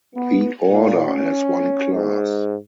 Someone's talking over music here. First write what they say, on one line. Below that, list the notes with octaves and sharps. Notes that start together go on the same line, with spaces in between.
The order has one class.
B3
A#2
C#4
G#2